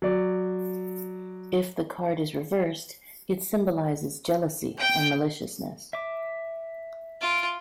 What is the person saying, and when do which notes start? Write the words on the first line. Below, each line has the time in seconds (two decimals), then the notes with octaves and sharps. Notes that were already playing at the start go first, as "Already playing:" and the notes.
If the card is reversed, it symbolises jealousy and maliciousness.
0.02 F#3 D5
4.78 G5
5.93 E5 D6
7.21 F4 D7